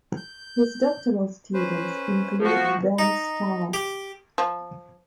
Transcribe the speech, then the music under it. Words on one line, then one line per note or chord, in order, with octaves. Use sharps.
His doctoral students include Ben Stark.
G6
C#4 B4 C5
F3 F#4
D#4
G4
F3